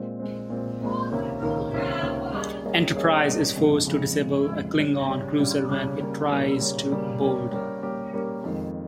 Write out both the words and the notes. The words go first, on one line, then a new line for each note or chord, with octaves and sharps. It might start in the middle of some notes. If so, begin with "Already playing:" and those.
"Enterprise" is forced to disable a Klingon cruiser when it tries to board.
Already playing: A#2 G#3 C4
A#2 G#3 C4
A#2 G#3 C4
A#2 G#3 C4
C#2 C3 D#3 A#3 C#4
C#2 C3 D#3 A#3 C#4
C#2 C3 D#3 A#3 C#4
C#2 C3 D#3 A#3 C#4
G3 A#3 C#4 G#4 D#5
G3 A#3 C#4 G#4 D#5
G3 A#3 C#4 G#4 D#5
G3 A#3 C#4 G#4 D#5
F2 C#3 G#3
F2 C#3 G#3
F2 C#3 G#3
F2 C#3 G#3
C#3 G3 C#4
C#3 G3 C#4
C#3 G3 C#4
C#3 G3 C#4
C#3 G3 A#3 C#4
C#3 G3 A#3 C#4
C#3 G3 A#3 C#4
C#3 G3 A#3 C#4
G3 A#3 C#4 G4 A#4
G3 A#3 C#4 G4 A#4
G3 A#3 C#4 G4 A#4
G3 A#3 C#4 G4 A#4
F2 D#3 G#3